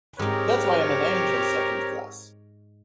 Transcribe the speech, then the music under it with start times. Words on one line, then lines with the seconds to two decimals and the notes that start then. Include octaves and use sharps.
That's why I'm an angel Second Class.
0.19 G#2 C4 D#4 G4 A#4 C#5